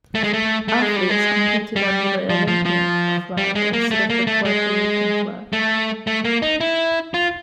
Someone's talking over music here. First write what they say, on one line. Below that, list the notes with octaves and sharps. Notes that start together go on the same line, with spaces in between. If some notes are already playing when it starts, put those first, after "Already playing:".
Athletes competed under the Olympic Flag instead of Puerto Rican flag.
A3
G#3
A3
A3
G#3
G3
G#3
G3
F3
F3
F3
G3
G#3
A#3
A3
A#3
A3
G#3
A3
A3
A#3
D#4
E4
F4